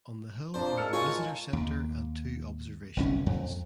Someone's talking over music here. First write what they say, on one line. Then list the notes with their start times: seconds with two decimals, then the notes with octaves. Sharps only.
On the hill are the visitor center and two observation points.
0.54 F2 F3 D4 C5 D5 A#5
0.78 G#3 A#4 A5 E6 F6 C#7
0.93 D#4 F4 G#4 C#5
1.53 D#2
2.97 G1 C2 C#4
3.26 F2